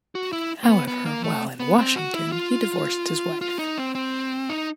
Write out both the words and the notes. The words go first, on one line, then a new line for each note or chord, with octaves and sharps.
However, while in Washington, he divorced his wife.
F#4
E4
A#3
B3
B3
A#3
A3
B3
C4
F#4
E4
F4
F4
D#4
C4
C4
D#4